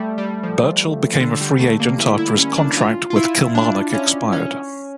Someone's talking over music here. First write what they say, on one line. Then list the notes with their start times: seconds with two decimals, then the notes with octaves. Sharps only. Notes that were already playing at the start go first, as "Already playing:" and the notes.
Burchill became a free agent after his contract with Kilmarnock expired.
Already playing: G3 A3
0.18 G3
0.43 F3
1.21 D3
1.41 G3
1.60 A3
1.80 A#3
1.99 E4
2.19 E4
2.38 C#4
2.57 D4
2.77 F4
3.10 F4
3.16 E4
3.55 D4
3.94 C#4
4.33 C#4